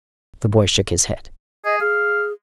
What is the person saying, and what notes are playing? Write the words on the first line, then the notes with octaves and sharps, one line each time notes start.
The boy shook his head.
G#4 D#5
G#4 F5